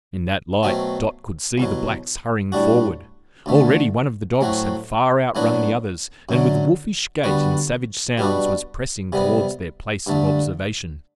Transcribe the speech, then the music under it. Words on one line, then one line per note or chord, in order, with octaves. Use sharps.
In that light Dot could see the Blacks hurrying forward. Already one of the dogs had far outrun the others, and with wolfish gait and savage sounds, was pressing towards their place of observation.
B2 F#3 A3 C4
C2 B2 F#3
A2 G3 D4 F#4
D2 D3 A3
A2 F#3 A3 C4 F#4
A2 F#3 B3 D4 F#4
F#2 D3 F#3
D3 G3 B3 F#4
B2 G3 B3 D4 F#4
C3 G3 B3
G2 D3 A3